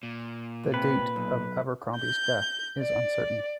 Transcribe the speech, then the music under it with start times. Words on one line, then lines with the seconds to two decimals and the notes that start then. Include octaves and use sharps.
The date of Abercromby's death is uncertain.
0.03 A#2
0.74 C3 B4
1.16 B1
1.97 G6
2.80 D5